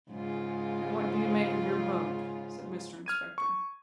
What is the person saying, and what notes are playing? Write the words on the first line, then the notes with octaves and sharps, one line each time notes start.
'And what do you make of your boat?' said Mr Inspector.
G#2 C#3 F4
F6 G#6 D#7
C#6